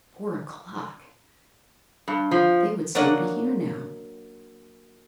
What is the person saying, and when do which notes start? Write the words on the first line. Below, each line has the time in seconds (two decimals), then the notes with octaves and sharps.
Four o'clock! they would soon be here now.
2.08 G2
2.31 F3
2.95 F#3 A#3 D4 D#5 F#5